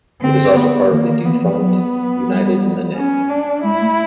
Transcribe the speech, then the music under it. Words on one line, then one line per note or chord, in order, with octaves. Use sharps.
It is also part of the defunct United Linux.
D3 C4
B3
D#3 A#3
D#3
E3 B3
F3
F#3
G3
C#4
D4
G#3 E4
A3